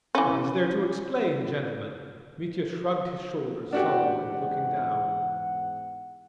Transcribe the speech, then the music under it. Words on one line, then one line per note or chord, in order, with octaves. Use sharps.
"What is there to explain, gentlemen?" Mitya shrugged his shoulders sullenly, looking down.
E3 C#4
E2 G#2 D4 F#4 G4 F#5